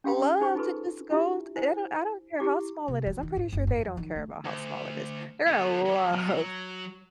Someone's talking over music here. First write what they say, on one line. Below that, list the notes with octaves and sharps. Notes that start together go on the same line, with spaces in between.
Love to just go t they don't I don't care how small it is. I'm pretty sure they don't care about how small it is. They're gonna love
C#4 G4 F5 G5 C6
D#4 G#4 C5 G#5 C#6
D#4 F4 G#4 A4 B4 C6
D4 E4 F4 G4 E5
E4 C5 G#5
E4 G4 D6
C3
F#3
D#3
G#2
F#1
G#2
F2
D#3
A3
D2
D3 B3
F#3 G3
B2
F#3